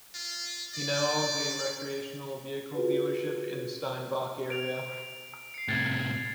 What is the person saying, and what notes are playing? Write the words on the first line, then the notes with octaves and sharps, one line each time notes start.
He now owns a recreational vehicle dealership in the Steinbach area.
F4
D5
F4 F#4 G#4 B4
D7 F7
C7 C#7
A2 C3 G#6 A6 C#7